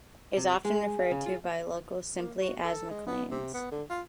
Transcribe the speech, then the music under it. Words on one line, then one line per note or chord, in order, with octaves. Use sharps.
Is often referred to by locals simply as McLain's.
C3
G#3 G#4
F5
C#3
F4
A#3
F#4
A4
G#3
B3
C3
B3
D3
F4